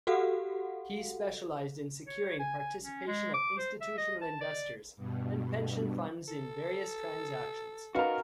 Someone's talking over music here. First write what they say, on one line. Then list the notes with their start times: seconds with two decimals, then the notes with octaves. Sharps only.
He specialized in securing participation of institutional investors and pension funds in various transactions.
0.07 F#4 G4 A4 F5 F#5
2.07 C#5
2.39 G#5
2.59 G#5
2.82 C#4
3.07 G#3
3.34 D6
3.58 C5
3.81 E5
3.98 D#5
4.21 A5
4.41 D5
4.97 G2 B2
6.28 A4
7.95 D#4 F#4 A#4 B4 F5